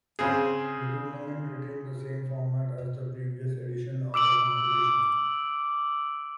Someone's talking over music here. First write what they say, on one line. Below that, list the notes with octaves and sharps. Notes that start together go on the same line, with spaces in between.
The tournament retained the same format as the previous edition of the competition.
C#3 C4 G#4
D6 E6 D7 F#7